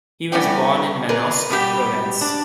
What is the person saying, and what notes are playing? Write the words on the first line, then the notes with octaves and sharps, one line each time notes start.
He was born in Manosque, Provence.
G3 A3 B3 C#4 D5 G5
G#4 A#4 B4 D5
B2 D3 G3 G4 G5
D4